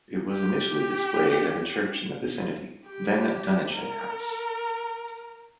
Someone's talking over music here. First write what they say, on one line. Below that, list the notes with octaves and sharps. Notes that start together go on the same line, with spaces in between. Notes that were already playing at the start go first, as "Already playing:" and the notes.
It was initially displayed at a church in the vicinity, then at Dunnichen House.
G4
G4
A#4